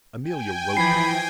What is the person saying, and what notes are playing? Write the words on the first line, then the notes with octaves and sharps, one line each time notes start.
Amelia Roper!
G5 G#5
E3 F3 B5 G#6 C7